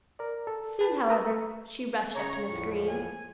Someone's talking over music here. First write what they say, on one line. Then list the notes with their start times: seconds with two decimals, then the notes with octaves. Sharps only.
Soon, however, she rushed up to Miss Green.
0.19 A#4 D5
0.47 A4
0.81 B4 A5
1.09 A#4 B4 A#5 D#6 E6
2.15 C#3 C#5 A#5 C#6
2.49 E2 A2 F3
2.88 G#5